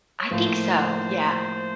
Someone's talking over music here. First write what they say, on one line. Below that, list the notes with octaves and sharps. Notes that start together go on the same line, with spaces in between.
I think so, yeah.
C#5
A2 F3 A#3 C5